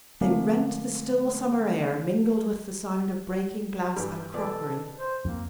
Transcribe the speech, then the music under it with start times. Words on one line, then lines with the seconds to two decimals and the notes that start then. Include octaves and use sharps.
They rent the still summer air, mingled with the sound of breaking glass and crockery.
0.21 D3 F3 G#3 A3 C4 F#4
3.96 G2 E3 G3
4.34 B2 E3 A4 D5
4.98 C5
5.25 F2 A#3